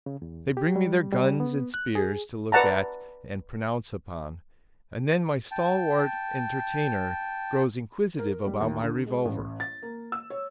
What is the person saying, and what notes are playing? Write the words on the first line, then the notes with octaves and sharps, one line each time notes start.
They bring me their guns and spears to look at and pronounce upon, and then my stalwart entertainer grows inquisitive about my revolver.
C#3
E2
G4
G3
G3
B3
F#6
G#4
B4 D5 F#5 A5 A#5
G5 A5
A#4
G3
D#2
D3
G#3
A1
A6
A#3
E6
C#5